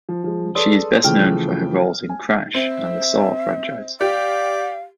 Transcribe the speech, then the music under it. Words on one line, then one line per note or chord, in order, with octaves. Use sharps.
She is best known for her roles in "Crash" and the "Saw" franchise.
F3
F3 G#3
G#4 A4 B4 D5 C6 D#6
C#3 E3 F3 A3 G5 F6
G#5
C4 E5
G4 D5 F5